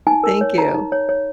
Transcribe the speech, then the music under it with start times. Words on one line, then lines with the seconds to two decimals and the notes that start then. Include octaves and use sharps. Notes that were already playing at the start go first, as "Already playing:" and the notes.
Thank you.
0.07 D#4 G#5
0.24 A#4
0.41 C#5
0.58 D#4 A#5
0.74 D#4
0.92 C#5
1.09 C#5